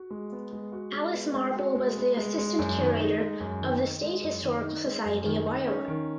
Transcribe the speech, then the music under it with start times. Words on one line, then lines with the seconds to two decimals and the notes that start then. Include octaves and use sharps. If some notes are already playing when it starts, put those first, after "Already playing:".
Alice Marple was the assistant curator of the State Historical Society of Iowa.
Already playing: F#4
0.10 G#3
0.32 B3
0.53 G#3
0.72 F#4
0.93 G#3
1.14 B3
1.34 G#3
1.56 F#4
1.75 G#3
1.97 B3
2.17 G#3
2.38 G#3
2.59 F#2
2.79 D#3
3.00 D#4
3.20 G#3
3.40 F#2
3.61 D#3
3.82 D#4
4.02 G#3
4.23 F#2
4.43 D#3
4.64 D#4
4.85 G#3
5.05 F#2
5.26 D#3
5.47 D#4
5.68 C#4
5.88 D#3